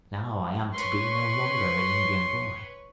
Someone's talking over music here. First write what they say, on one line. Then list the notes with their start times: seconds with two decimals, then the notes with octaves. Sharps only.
Now I am to be no longer an Indian boy.
0.74 B4 C#5 C6 C#6